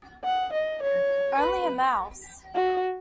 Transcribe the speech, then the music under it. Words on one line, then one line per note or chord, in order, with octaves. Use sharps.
Only a mouse!
F#5
D#5
C#5
B4
F#4